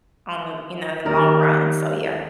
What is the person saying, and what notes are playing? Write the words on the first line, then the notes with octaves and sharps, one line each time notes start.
on the, you know, in the long run, so yeah.
D#2 D#3 A#4 D5